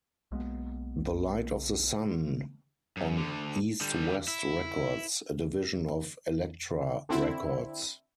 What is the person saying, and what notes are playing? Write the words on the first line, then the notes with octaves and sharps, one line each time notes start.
The Light of the Sun, on East West Records, a division of Elektra Records.
B1 G#3 A#3 B3
F#2
D2 D3
D3 G3
E4
D3 C4 E4